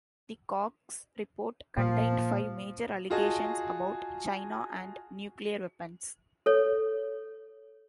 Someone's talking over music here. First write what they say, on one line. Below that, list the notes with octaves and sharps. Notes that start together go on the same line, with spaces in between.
The Cox Report contained five major allegations about China and nuclear weapons.
A#2 F3
F4 F#4 G#4 D#5 A5
A4 C#5